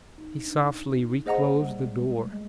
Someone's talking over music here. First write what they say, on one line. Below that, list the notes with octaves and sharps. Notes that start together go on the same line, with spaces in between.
He softly reclosed the door.
D#4
D4
A#3 G#4 C5 D#5 F#5 A#5
G3
G#3
A3
G#3